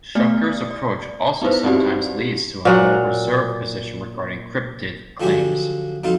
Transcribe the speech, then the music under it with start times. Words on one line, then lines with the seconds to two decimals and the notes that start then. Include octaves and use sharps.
Shuker's approach also sometimes leads to a more reserved position regarding cryptid claims.
0.15 A3 B3 D5 F6
0.44 D#6
0.71 D5
1.42 B3 D#4 E4 B4 C5
1.65 C4 D#4 E4 F#4 G4 D5
2.65 A#2 F#3 F#5
5.20 D3 F3 F#3 G4 G#4
6.04 F2 F#3 D#4 F4